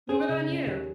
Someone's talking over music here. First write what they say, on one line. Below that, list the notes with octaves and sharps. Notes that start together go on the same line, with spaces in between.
No, good on you.
C#4 G#4
C#3
C#4
D#2